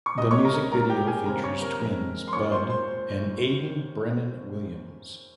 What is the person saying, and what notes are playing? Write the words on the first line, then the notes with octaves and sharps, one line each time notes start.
The music video features twins Bud and Aidan Brennan Williams.
C#6
C#2 C3 D#3 D#5 D#6
C#5 C#6
A#4 A#5
G#2 G3 C#4 F4 A#4 A#5
G4 G5
G#4 G#5
D#2 C#3 G3 C4 A#4 A#5
C#5 C#6
A#4 A#5
F2 D#3 G#3 D#4
C6
D#2 D#3 G#3 C#4 F4 C#5 C#6
C5 C6
C5 C6